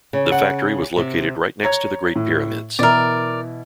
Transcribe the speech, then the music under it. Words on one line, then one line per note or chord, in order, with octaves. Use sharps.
The factory was located right next to the Great Pyramids.
C#3
F#5
C3
C#5 A#5 G#6
A2
B2 E3 E4 A#4 D5